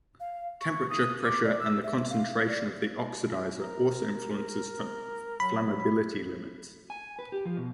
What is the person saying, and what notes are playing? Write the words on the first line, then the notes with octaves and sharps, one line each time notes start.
Temperature, pressure, and the concentration of the oxidizer also influences flammability limits.
F5
C#6
D#6
D6
D5
E6
E5
F5
D5
A#4
F#3 B5
G#5
B4
G4
F3
B2